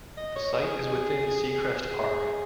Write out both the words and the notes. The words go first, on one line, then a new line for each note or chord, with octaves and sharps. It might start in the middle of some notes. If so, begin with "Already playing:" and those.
The site is within Seacrest Park.
D#5
C#5
G#4
G#4